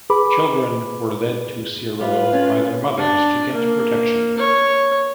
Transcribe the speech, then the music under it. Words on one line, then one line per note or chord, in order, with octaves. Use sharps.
Children were led to Ciarallo by their mothers to get protection.
G#4 B4 B5 D6
G3 F4 B4
C#4
D4
A#3
C#5